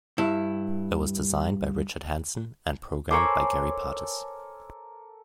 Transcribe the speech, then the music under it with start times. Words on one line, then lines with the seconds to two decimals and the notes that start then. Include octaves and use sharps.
It was designed by Richard Hanson and programmed by Gary Partis.
0.18 G2 E4
3.11 A4 A#4 C5 C#5 G#5 A#5 C6 D6